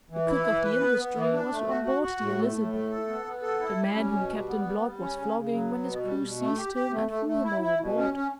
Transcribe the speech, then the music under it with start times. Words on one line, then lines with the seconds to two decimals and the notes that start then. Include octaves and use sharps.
The cook of the 'Industry' was on board the 'Elizabeth', the man whom Captain Blogg was flogging when his crew seized him and threw him overboard.
0.10 E3
0.28 E4
0.46 E3
0.63 B4
0.80 B3
0.98 B3
1.15 E3
1.33 D4
1.51 A3
1.68 F#4
1.85 F#4
2.03 F#4
2.21 A2
2.38 A3
2.55 A2
2.72 A3
2.90 A4
3.08 B3
3.26 B3
3.42 A4
3.60 E4
3.77 G3
3.95 C#4
4.12 B2
4.30 G3
4.47 B3
4.64 G3
4.82 G3
5.00 C#4
5.17 C#3
5.34 C#3
5.52 F#3
5.70 B3
5.87 B2
6.04 G3
6.21 B2
6.40 A3
6.57 G4
6.74 G4
6.92 A3
7.09 A3
7.26 A3
7.44 E4
7.61 E4
7.80 B2
7.97 C#4
8.14 C#4